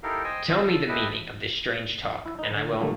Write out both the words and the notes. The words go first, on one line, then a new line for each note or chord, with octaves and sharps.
Tell me the meaning of this strange talk, and I will.
D#4 E4 G4 A4 A#4 F5
C5 D#5 G5 G#5
C4 D4 C5 D#5 E6
A4
E4 G4 A4 B4 D#5 E5
E4
D#4 B4
D3
A#2 D3 G3 A3 A#3